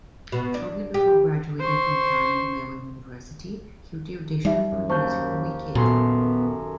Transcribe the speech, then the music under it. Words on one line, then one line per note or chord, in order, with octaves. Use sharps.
Shortly before graduating from Carnegie Mellon University, Hilty auditioned for the musical "Wicked".
B2
D4
G4
C5 C#6
G3 D#4 E5
F#2
D#2 C5 A5 C#6 G6
F#2 A#2 B3 A4 C6